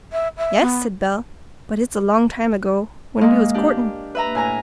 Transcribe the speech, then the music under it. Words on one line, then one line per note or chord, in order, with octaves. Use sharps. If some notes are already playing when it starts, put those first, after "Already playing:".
'Yes,' said Bell; 'but it's a long time ago; when we was courting.'
E5
E5
B3
G#3 A#3
D4 G4
B4 E5 A#5
A2 G#5 A#5